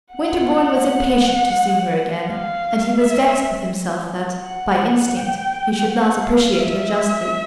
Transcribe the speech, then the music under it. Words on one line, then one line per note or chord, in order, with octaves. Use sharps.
Winterbourne was impatient to see her again, and he was vexed with himself that, by instinct, he should not appreciate her justly.
F#5
F5
E5
F#5
G5
F#5
F5
E5